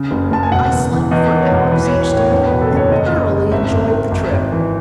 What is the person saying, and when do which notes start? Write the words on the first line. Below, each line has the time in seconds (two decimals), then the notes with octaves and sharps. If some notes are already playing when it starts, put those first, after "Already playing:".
I slept for hours each day and thoroughly enjoyed the trip.
Already playing: C#3
0.11 F#1
0.31 F#1 A5
0.43 G#5
0.52 E1 F#5
0.71 E2
0.92 E3
1.11 E2 D#5
1.31 D#3
1.41 C#5
1.52 E1
1.71 E3 B4
1.87 B1 C#5
2.01 C#5
2.12 A2
2.17 C#5
2.31 E2 C#5
2.46 B2 B4
2.61 A4
2.71 F#1
2.77 C#5
2.92 F#1 D#5
3.12 F#1
3.31 F#1
3.51 G#1 E5
3.72 G#1
3.92 D#3
4.12 G#1
4.32 G#1
4.52 E3